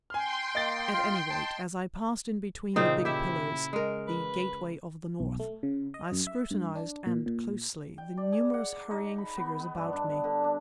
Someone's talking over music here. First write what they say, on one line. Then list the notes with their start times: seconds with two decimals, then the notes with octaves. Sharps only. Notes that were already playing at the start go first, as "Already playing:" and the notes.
At any rate, as I passed in between the big pillars, "The gateway of the North," I scrutinized, and closely, the numerous hurrying figures about me.
0.10 G5 G#5 C6 F6
0.55 A#3 D#5 A6
0.92 F4
1.30 A5
2.76 A#2 C#3 C4 D#4
3.05 E4 G4 E5
3.73 G#3 A#4
4.08 B4
5.20 B1
5.40 A3
5.63 C#3
5.94 D#5
6.12 F#2
6.27 E5
6.51 G2
6.76 D4
7.06 A#2
7.26 A#2
7.98 G5
8.17 D5
8.32 G#4
8.54 F#5
8.91 D#4
9.18 B5
9.37 B3
9.59 B3
9.75 G2
9.93 D4
10.24 D3
10.44 D4